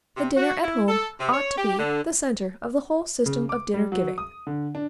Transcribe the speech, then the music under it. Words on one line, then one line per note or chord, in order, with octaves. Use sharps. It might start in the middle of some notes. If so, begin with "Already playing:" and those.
The 'dinner at home' ought to be the centre of the whole system of dinner-giving.
C3
F#4
E4
A4
C3
C#5
G4
D3
C#3
D6
G3
F#3
D#6
D3
D4